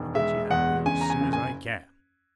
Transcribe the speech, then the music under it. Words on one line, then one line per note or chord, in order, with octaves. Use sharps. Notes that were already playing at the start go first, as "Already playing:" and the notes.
I'll get you out of here as soon as I can.
Already playing: E1 D#3
G#3 E5
E2 F#5
C#3 G#5
A#5
G#5
F#1
G#5